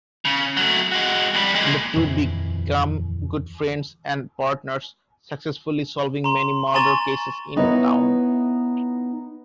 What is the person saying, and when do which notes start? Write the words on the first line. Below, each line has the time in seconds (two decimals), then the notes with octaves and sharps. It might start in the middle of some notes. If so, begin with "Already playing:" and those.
The two become good friends and partners, successfully solving many murder cases in town.
0.25 C#3
0.57 F#3 A3
0.92 G#3 F#4
1.34 F2 G3
1.55 A#2 G#3
1.95 D#1 F2 D#3 E3
6.24 A#5 C6
6.74 G#5 A#5 C6 C#6 A6 E7
7.56 B3 D#4 E4 B4 C#5